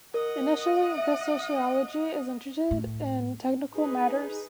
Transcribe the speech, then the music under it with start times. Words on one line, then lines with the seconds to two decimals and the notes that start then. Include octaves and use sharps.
Initially, this sociology is interested in technical matters.
0.14 A#4 D#5 F#5
0.98 E5
2.71 A2
3.74 D#4 G#4 B4